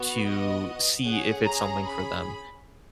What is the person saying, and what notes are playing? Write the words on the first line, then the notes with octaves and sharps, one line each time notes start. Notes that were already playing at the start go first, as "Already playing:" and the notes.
to see if it's something for them.
Already playing: B3 F#4
D#5
C#4 G#4 F#5
A#5
B5